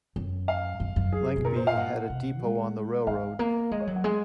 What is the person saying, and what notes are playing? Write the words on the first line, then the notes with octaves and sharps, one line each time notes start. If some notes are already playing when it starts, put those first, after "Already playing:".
Lengby had a depot on the railroad.
F#2
F5
F#2
F#2
G#4
C3
A#2 A#4
C5
F5
F#5
C3
G#3
G#3 F5
A#3
G#3 D#5
C#5
F#3
F#5
G#3 G#5